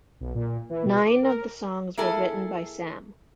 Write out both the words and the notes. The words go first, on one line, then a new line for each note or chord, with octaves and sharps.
Nine of the songs were written by Sahm.
B1
A#2
E3
B2
D6
A#4
A#3 E4 G#4 A4